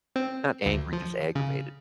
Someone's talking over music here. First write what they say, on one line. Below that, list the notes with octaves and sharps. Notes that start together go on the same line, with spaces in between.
not angry, just aggravated.
C4
D2
F3
C#3